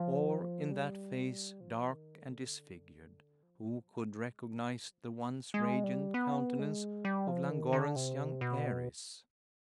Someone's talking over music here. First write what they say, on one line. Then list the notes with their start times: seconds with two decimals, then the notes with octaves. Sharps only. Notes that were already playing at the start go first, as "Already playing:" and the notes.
Or in that face, dark and disfigured, who could recognise the once radiant countenance of Llangorren's young heiress?
Already playing: F3
0.71 G3
1.60 F3
1.91 D#3
2.22 D3
3.43 F3
3.88 G3
4.33 G#3
4.63 G3
4.93 F3
5.14 C4
5.23 B3
5.54 G#3
5.84 G3
6.14 B3
6.59 G#3
7.05 G3
7.28 F3
7.50 D#3
7.73 D3
7.96 C3
8.41 B2